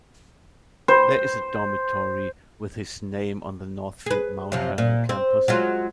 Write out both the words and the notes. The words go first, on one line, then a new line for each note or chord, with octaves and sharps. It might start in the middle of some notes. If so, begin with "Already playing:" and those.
There is a dormitory with his name on the Northfield Mount Hermon campus.
C5
G#4 B4
F#2 C3 F3
A#2
C4
F#3 G#3 F4